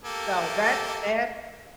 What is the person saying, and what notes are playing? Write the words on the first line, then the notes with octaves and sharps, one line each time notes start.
So that that,
A#3 G4 A4